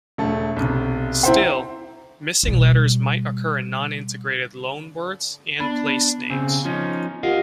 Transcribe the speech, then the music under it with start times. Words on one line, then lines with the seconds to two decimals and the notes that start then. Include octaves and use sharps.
Still, missing letters might occur in non-integrated loan words and place names.
0.18 E1 A3 A5
0.56 B1 C3
1.23 C4 E4 C5 E5 G5
2.43 B2 G3
5.60 B3 D4 B5
6.30 C#3 C4
6.65 F3 C#4 D#4
7.23 F4 G4 A#4 D#5 F5 F#5